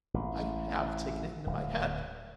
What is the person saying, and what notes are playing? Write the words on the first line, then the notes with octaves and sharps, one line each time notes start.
I HAVE taken it into my head.'
A1
D1